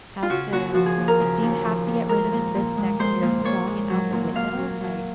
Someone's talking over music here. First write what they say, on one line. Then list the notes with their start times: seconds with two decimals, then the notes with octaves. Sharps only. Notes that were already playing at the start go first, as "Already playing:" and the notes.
has to like, "Do you have to get rid of it this second where you're throwing it out the window?" Like,
0.23 F4
0.29 C#3 F#4
0.52 D#2 F#4
0.74 F3 F#4
0.86 G#4
0.97 D#2
1.08 A#4
1.20 C#3
1.42 D#2
1.65 F3
1.87 D#2
2.09 G#3 A#4
2.32 A#2
2.55 A#2
2.77 G#3
2.99 G#3 C5
3.22 A#2
3.45 A#2 C#5
3.67 G#3
3.90 F#3
4.12 A#2
4.35 A#2 F5
4.57 F#3
4.81 F#3